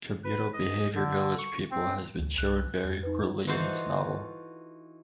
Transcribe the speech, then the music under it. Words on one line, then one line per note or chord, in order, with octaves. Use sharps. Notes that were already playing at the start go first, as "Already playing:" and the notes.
Communal behavior village people has been shown very cruelly in this novel.
B4
D#5
D3
C#6
C4
D2
C2 F#6
F2
D#4 B4
E3 D#4 F4 F#4 A4 C5